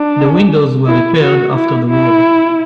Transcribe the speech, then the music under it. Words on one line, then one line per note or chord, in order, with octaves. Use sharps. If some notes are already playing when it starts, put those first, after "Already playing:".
The windows were repaired after the war.
Already playing: D4
E4
F#4
E4
E4